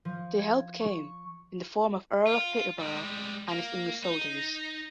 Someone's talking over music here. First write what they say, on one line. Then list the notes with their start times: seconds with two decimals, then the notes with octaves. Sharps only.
The help came, in the form of Earl of Peterborough and his English soldiers.
0.05 F3
0.39 G#6
0.80 C#6
2.27 F4
2.80 G3 G#3
3.48 A#3
4.04 D#4